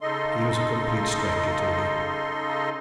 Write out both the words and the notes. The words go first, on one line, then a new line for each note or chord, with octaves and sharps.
He was a complete stranger to me.
C#3 D#4 A4 D#5 C6